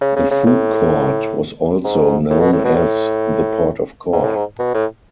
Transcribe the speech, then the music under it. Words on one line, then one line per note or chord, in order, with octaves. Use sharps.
The food court was also known as the Port of Call.
C#3
C#3
C#3
A2
G#2
A2
B2
A2
B2
A2
G#2
A2
G#2
B2
A2